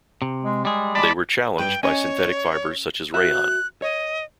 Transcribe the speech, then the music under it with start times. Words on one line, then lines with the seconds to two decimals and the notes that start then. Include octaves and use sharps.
They were challenged by synthetic fibres such as rayon.
0.22 C3
0.44 G#3
0.65 G3 G#3 G#4
0.95 G#3 D5 A5 B5
1.58 G2 B4 G5
1.83 C#4 C#5 D#5 G#5
3.14 F#4 E5 F#6
3.82 C#5 D#5